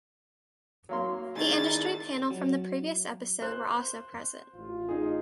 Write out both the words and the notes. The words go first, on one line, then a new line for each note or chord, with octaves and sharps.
The industry panel from the previous episode were also present.
F#3 A#3 C6
D#3 D#4 E4 G#4 A6
F#3
C5 F#6
A1 F4
D#4 G#4